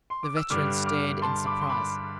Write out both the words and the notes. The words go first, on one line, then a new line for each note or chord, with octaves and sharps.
The veteran stared in surprise.
C6
D6
E6
G2 D3 G3 D6 F6
D6 F6
A5 C6
B5 D6
C6
B5 D6